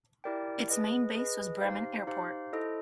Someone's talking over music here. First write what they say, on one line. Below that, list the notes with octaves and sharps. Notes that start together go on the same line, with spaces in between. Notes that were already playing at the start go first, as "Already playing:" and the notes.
Its main base was Bremen Airport.
E4 G4 A#4 D5 G5
G#4 B4 D#5
G#4 B4 D#5
D#4 G4 C5 F5
D#4 G4 C5 F5
E4 A4 C5 D#5